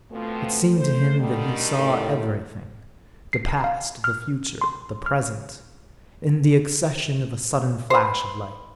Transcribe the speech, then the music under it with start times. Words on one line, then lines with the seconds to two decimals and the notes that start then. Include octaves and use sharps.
It seemed to him that he saw everything--the past, the future, the present--in the accession of a sudden flash of light.
0.12 B2 F3 A3 C4
0.77 C5
1.19 D3 D#3 G3
1.77 A2
3.33 C7
3.64 F5
4.04 F6
4.61 C6
5.06 F6
7.90 B4 C5